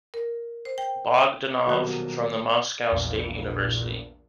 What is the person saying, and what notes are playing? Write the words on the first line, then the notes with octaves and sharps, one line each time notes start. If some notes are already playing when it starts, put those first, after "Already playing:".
Bogdanov, from the Moscow State University.
A#4
C5
G5
D#1 B2 F#3 A#3 G4 F#6
A#1 E2 G2 A#2